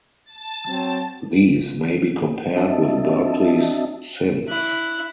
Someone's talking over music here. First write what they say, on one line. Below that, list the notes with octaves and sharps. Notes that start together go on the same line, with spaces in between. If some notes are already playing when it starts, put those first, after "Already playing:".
These may be compared with Berkeley's "Sins".
A5 A6
F#3 C4
C4 D4 F#4 D#5 E5 A5
E4 F#6